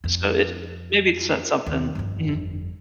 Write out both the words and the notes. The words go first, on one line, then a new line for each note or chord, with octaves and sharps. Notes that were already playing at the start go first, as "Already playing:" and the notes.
So it maybe it's so something Mhm.
F2
D#2
G1 F2